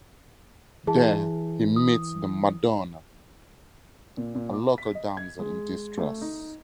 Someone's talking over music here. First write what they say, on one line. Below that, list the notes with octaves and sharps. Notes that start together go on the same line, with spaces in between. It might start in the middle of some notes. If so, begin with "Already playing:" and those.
There, he meets the "Madonna", a local damsel in distress.
E3 G#4 A5
D#6
A#2
A#2
D6
B6
D#5
G#6
G#3
A3
D#4